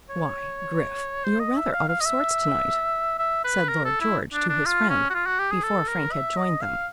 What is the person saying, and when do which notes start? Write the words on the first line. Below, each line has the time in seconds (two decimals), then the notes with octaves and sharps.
"Why, Griff, you're rather out of sorts to-night," said Lord George to his friend, before Frank had joined them.
0.09 C#5
1.24 C5
1.40 D#5
1.57 E5
1.73 F5
1.89 F5
2.01 D#5
2.06 E5
3.19 E5
3.44 B4
3.69 A#4
3.85 A4
4.00 E4
4.33 D4
4.49 D4
4.66 F4
4.90 C#4
5.10 F#4
5.14 F4
5.26 F#4
5.39 G4
5.51 G#4
5.63 A4
5.88 A#4
6.12 E5
6.37 D#5
6.61 F5